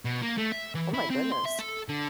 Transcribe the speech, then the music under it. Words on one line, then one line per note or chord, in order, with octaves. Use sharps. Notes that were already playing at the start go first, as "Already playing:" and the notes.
Oh, my goodness.
B2
A#3
A3
E5
E3
E4
C4
C6
E5
A4
D3